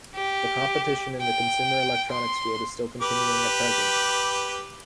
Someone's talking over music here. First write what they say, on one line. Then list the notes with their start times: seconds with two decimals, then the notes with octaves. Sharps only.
The competition in the consumer electronics field is still continuing at present.
0.16 G4
1.21 G5
2.12 C6
3.01 G4 B4 D6